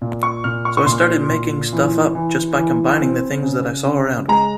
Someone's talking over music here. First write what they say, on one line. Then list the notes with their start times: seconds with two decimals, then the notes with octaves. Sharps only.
So I started making stuff up just by combining the things that I saw around me.
0.01 A#2
0.23 C#6
0.44 A#2 F6
0.65 C#6
0.77 C#6
0.86 A#2 C6
1.29 A#2
1.73 E3
2.15 E3
2.57 E3
3.01 C4
3.43 C#3
3.86 C#3
4.28 G#3 A#5